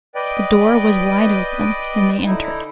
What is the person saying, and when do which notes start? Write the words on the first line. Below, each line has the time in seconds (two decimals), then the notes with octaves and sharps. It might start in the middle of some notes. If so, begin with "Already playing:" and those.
The door was wide open, and they entered.
0.15 B4 D5 D#5 G5
2.26 D3 D#4 E4